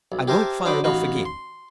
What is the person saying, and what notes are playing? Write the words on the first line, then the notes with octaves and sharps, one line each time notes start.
"I won't fire it off again."
B1
G4 A#4 C5 E5 G#5 A5
F#3 D4 C5 B5 D6 D#6
A1 D#4 F#4 F5 B5
C6